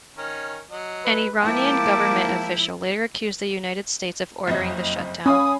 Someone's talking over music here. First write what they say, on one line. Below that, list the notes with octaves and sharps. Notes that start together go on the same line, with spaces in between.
An Iranian government official later accused the United States of ordering the shutdown.
D#3 C#4 A#4
F#3 D#5
B4
F3 G#3 A#3 E4 G5 A5 D6
F#1 F2 D#5
C#4 F5 G#5 B5 D#6